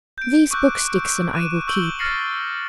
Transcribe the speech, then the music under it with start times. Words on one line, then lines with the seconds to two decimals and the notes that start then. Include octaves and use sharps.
'These books, Dixon, I will keep.
0.18 G6 D7
0.51 C#6 D6 E6 F#6 G6
0.90 D7
1.33 F#6 D#7 E7
1.67 C#6 E6 G6 D7 F#7 G7
1.99 F6 A6 A#6 C7 C#7 F#7